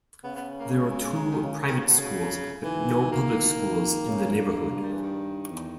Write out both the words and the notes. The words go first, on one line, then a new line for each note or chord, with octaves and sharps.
There are two private schools, but no public schools in the neighborhood.
C#3 B3
B3
A#3
G#3
D#3
D#3
C#3
D#3
C#3
B2
C#3
D#3 E3
A#3
D#3
C#3
G2
G3
E3
D#3
E2